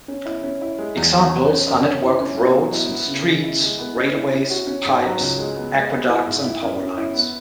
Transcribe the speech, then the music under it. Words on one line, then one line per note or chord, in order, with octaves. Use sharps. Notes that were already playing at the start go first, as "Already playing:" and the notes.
Examples are network of roads and streets, railways, pipes, aqueducts, and power lines.
C#4
E4
C#4
E4
G#3
E2
F#3
B3
C#4
F#2
C#4
E4
C#4
B2
F#3
E4
B3
C#3
G#3
E4
G#3
B3
C#4
E4
C#4
F#4
C#4
G#2
F#3
C#2
G#3
B3
G#3
B3
E4
G#2
E4
F#2
C#4
E4
B3